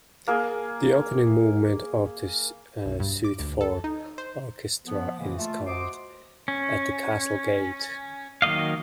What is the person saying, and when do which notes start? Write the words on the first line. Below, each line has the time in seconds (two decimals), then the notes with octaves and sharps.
The opening movement of the suite for orchestra is called "At the Castle Gate".
0.28 A#3 G#4
2.86 B1
3.00 G2
3.24 D6
3.40 D2
3.61 A4
3.84 D#4
4.18 C5
4.86 F3 B3
5.18 A2 C#3 E3 G#3 A#3
5.37 A3 F4
5.66 F#4 C5 D#5 C6 D6
6.48 C#4
8.42 D#3 F#3 A#3 D#5 F5